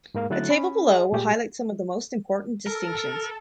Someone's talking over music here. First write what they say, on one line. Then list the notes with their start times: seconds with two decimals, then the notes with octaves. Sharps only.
A table below will highlight some of the most important distinctions.
0.14 G#2 G#3 A#3 A#4 F5
0.30 D3 F#3 A3 E4 F#6 A6
0.50 C#4 B5
0.90 G#4 D#5 F5
1.12 A#2 G3 G4 G#4
2.67 A4 A#4